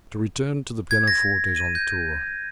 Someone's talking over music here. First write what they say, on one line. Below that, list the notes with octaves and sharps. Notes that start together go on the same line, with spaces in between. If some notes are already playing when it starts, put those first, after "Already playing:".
But to return to the pianofortes on tour.
G#6
A#6
D#7
G6